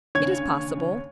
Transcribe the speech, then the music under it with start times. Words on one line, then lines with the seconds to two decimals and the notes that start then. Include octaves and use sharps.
"It is possible."
0.15 D#2 C#3 D4 C#5 G#6